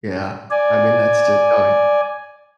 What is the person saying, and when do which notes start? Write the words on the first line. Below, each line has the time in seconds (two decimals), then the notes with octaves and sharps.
Yeah, I mean, that's just oh y
0.51 D5 G#5